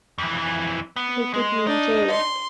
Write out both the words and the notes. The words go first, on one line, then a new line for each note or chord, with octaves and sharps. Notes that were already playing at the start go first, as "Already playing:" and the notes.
They put me in jail.
F2 E3
B3
G#3
D4 D#4
C6